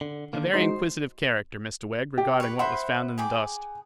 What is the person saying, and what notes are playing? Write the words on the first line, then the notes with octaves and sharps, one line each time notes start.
A very inquisitive character, Mr Wegg, regarding what was found in the dust.
D3
D3 D#3 A#3
G#3 D#4 F#4 C5
G4
B4 C#5
C5 E5 F#5 B5
G#4 G5 D6